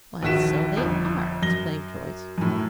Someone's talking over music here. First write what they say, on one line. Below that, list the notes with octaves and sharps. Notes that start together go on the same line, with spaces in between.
"Why, so they are!" exclaimed Joyce.
A#1 D#2 D#3 F#4 B6 E7
G1 F2
F#2 A#6 G7
F#2 A2